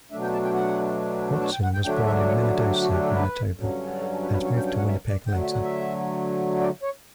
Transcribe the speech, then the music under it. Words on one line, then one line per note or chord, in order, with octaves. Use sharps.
Watson was born in Minnedosa, Manitoba and moved to Winnipeg later.
B2 F#3 A3 D4 E5
G5
A5
G5
F#5
A5
G5
F#5
G5
D3 F#3 A3 D4 G5
E5
E5
D5
C#5
B4
G4
G4
F#4
G4
A4
B4
G2 D3 F#3 C#4
A4
A4
B4
B4
C#5
G5
G5
F#5
E5
D5
G5
D3 F#3 A3 F#5
E5
F#5
E5
D5
C#5